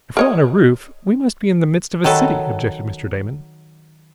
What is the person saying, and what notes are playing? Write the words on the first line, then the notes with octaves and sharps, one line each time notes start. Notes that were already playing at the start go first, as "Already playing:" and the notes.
"If we're on a roof we must be in the midst of a city," objected Mr. Damon.
A#4 C#5 D#5
D#3 F#3 A4 B4